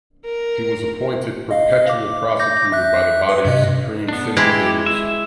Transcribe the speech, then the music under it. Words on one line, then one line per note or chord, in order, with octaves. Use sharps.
He was appointed perpetual prosecutor by the body of supreme syndicators.
A#4
D#5 F5
D6
D6 G6 A#6
E5 F#6
B4
G2 C3 D#5
B3 D4
G#3 E4 G4
E5